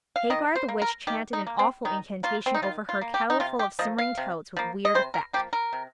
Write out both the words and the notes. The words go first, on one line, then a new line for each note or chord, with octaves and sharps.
Hagar, the witch, chanted an awful incantation over her kettleful of simmering toads, with weird effect.
F5
D#3 D#5
C5
A#3
A#4
D#3 G4
D#4
A#3
C4
D#3 D#4
A#3 F4
C4
D#4
D#3 F4
F4
A#3
G4
D#4
C3 F4
G4
F3 A#3 D#5
F5
C3
F3 A#3
D#5
C3 C5
A#4
F3 A#3 G4
A#4
C3